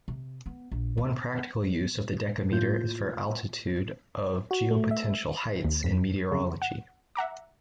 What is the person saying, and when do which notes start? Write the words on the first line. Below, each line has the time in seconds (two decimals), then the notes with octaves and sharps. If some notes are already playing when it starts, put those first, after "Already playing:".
One practical use of the decameter is for altitude of geopotential heights in meteorology.
0.08 C3
0.46 B3
0.72 A#1
0.97 D2
2.51 A2 A3 A#3 F4 G6
4.51 F#4
4.71 A3
4.91 E5
5.65 D#2
5.83 F2 B6
6.32 F2 C#3
6.62 F#5
7.15 E5 F#5 A#5 D6